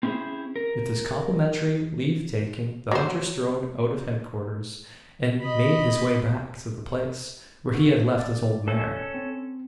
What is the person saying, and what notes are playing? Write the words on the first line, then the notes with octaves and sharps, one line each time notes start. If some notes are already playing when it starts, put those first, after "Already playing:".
With this complimentary leave-taking the hunter strode out of head-quarters, and made his way back to the place where he had left his old mare.
C4 C#4 E4 F4 G#4 C5
A#4
F#3 C5
D#5 B5
D4 F#4 A4
D5
C#4 A4
C4